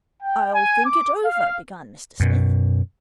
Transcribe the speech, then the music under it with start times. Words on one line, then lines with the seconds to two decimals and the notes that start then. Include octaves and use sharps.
'I'll think it over--' began Mr Smith.
0.22 G5
0.54 G#5
0.86 D6
1.26 F5
2.20 F#2 B2